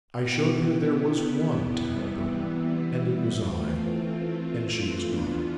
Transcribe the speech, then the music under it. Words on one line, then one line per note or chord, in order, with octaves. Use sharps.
I showed her there was one to help her, and it was I. And she is gone.'
B2 B3 E4 G4
C3 E3 G3 B3 E4
E3 A3 C4 F4
E3 B3 D4 F4